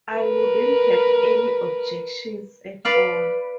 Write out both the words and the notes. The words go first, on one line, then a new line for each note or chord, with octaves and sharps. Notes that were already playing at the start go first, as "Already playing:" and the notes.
I wouldn't have any objections at all.
A#4 B4
B4 D5 F5